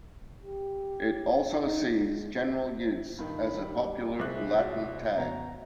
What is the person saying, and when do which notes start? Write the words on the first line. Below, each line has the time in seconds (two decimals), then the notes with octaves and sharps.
It also sees general use as a popular Latin tag.
0.43 G4
1.60 D#4
1.95 G#3
3.19 G2 D#3 B5
3.58 G3
4.19 C2 G#3 E5 F#6
4.59 F4 F#4 D5
5.16 F2 C#3 B3 F#4 A#5